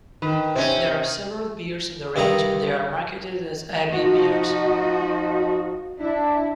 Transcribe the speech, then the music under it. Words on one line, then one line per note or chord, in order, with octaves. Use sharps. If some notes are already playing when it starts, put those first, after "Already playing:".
There are several beers in the range, and they are marketed as Abbey beers.
D#3 B4
C3 C4 C#4
G2 D#3 E4 D#5 A#5
F3 D#4 F#4 D#5
D4 E4